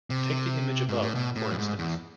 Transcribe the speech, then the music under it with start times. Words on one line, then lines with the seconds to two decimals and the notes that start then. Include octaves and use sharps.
Take the image above for instance.
0.10 C3
0.89 G#2
1.02 A2
1.15 B2
1.36 A2
1.52 F2
1.58 G#2
1.79 E2